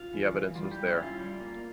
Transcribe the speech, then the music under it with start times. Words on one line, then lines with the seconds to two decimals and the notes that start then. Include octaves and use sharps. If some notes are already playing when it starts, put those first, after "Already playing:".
The evidence was there.
Already playing: F4
0.13 E3
0.34 E3
0.55 G3 F4
0.71 G3 G4
0.87 E4
0.98 C#4 F4
1.19 G3
1.40 A#3